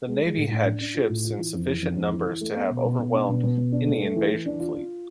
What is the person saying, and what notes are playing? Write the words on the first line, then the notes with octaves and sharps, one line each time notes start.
The navy had ships in sufficient numbers to have overwhelmed any invasion fleet.
G#3
G#3
A2
A2
D4
D4
F4
A2
F4
E3
F2
E3
F2
F2
E3
E3
A3
B3
B2
B2
B2
D4
B2
B2
B2
D4
A3
A3
E3
E3
D4
F4
F4